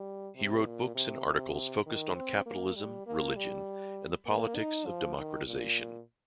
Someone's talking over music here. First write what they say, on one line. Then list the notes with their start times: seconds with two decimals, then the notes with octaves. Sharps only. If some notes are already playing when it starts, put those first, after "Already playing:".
He wrote books and articles focused on capitalism, religion, and the politics of democratization.
Already playing: G3
0.35 C3
0.65 A#2
0.95 C3
1.26 C3
1.86 D#3
2.15 C4
2.46 A#3
2.75 G3
3.06 A#3
3.36 G3
4.26 A#3
4.56 D#4
4.86 F3
5.17 D#3
5.46 A#2